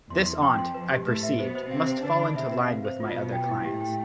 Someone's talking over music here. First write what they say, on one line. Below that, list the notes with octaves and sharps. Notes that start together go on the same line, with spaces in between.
This aunt, I perceived, must fall into line with my other clients.
E2 E3 C6
C6
F2 F3 G5
C6
B4
G4
A2 A3 B4
E5
B2 B3 C5
C5
C3 C4 F5
C5
D3 D4 B4
B5
C3 C4 E5
B4
F5
C5
B2 B3 F4
F5
G5
E4
A2 A3 G4
G5